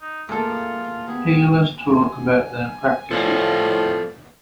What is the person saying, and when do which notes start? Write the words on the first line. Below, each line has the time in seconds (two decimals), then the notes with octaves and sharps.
Healers talk about their practices.
0.01 D#4
0.29 A2 A#3 F4 G#4 A4
0.85 F5
1.08 B3 G4 G#4
1.81 G#5
3.11 A2 F3 A4 D5 F5